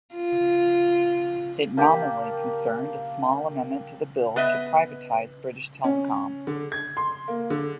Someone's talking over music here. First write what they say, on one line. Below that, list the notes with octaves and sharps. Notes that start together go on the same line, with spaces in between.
It nominally concerned a small amendment to the bill to privatise British Telecom.
F4
A#3 D4 G4
B3 B4 D#5 E5
C#4
D3
G#6
C6
A#3
D3